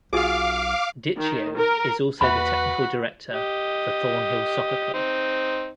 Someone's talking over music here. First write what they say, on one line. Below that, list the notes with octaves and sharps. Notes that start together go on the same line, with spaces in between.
Dichio is also the Technical Director for Thornhill Soccer Club.
B1 F4 F#4 G#4 F5 D6
D#3
A#4
E2 A#3 F#4 B4 E5 B5
G4 D#5
C4 D#4